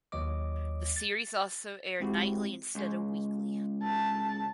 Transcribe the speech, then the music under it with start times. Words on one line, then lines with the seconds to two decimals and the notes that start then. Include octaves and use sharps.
The series also aired nightly instead of weekly.
0.12 D#2 F#3 C#5 D#5 D6
0.96 A6
2.00 G#3 C4 E4 F#4 G4
2.75 C#2
3.82 A5